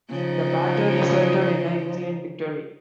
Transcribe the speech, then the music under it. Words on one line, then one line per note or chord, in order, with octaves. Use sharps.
The battle resulted in a Union victory.
C#3 F3 D#4